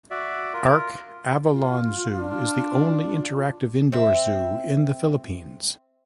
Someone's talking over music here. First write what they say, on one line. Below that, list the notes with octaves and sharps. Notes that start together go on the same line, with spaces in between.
Ark Avilon Zoo is the only interactive indoor zoo in the Philippines.
F#4 D5 E5
F4 A#4
F4
D4
C4 E5